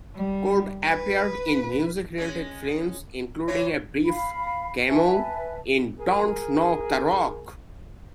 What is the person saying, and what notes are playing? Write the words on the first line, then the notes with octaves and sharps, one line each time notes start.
Cole appeared in music-related films, including a brief cameo in "Don't Knock the Rock".
G3
B4
G#3 C#4
E3 F4 C#5
F5 B5
B4 E5 G#5 A5
G#4 A#4